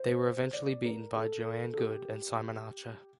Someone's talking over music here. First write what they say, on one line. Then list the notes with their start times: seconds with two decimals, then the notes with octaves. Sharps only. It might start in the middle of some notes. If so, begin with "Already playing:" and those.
They were eventually beaten by Joanne Goode and Simon Archer.
Already playing: C5
0.53 D5
0.85 A#4
1.16 A4
1.74 A4
1.78 G4